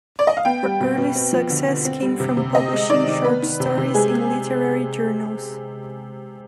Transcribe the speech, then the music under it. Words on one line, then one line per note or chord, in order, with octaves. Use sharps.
Her early success came from publishing short stories in literary journals.
D5
D#5
F5
B3 G5
G3
B2
B2
C4
F3
D3
D3
C4
G3
C3
C3
C4 D#5
G#3
D#3 D5
D#3
B3 B4
D#3
C3
C3
G#3 G#4